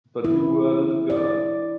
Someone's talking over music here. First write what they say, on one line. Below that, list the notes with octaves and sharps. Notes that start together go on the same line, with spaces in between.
But you were a little girl.
E4
D5